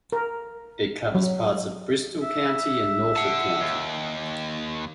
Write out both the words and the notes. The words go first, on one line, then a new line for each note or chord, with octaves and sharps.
It covers parts of Bristol County and Norfolk County.
A#4
F#3
E5
F#5 A5
D#2